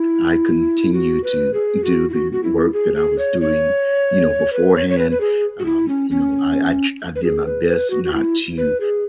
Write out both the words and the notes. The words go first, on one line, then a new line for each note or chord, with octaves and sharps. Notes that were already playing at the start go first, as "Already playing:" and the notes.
I continue to do the work that I was doing, you know, beforehand, um, you know, I I tr I did my best not to,
Already playing: E4
F#4
B4
G#4
F#4
E4
F#4
F#4
E4
G#4
G#4
C#5
C#5
B4
C#5
C#5
B4
B4
G#4
F#4
E4
C#4
C#4
B4
G#4
B4
B4
F#4
F#4
E4
B4
G#4